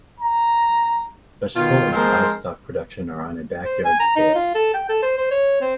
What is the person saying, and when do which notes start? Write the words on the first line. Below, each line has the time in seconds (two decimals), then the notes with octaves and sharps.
Vegetable and livestock production are on a backyard scale.
0.21 A#5
1.55 B2 D#3 F4
1.92 F3 G#3 C4 A#4 C5
3.65 C5
3.85 G#5
4.00 A#5
4.16 D#4
4.35 F4
4.55 A4
4.74 G5
4.89 A4
5.03 C5
5.18 C5
5.31 C#5
5.61 C4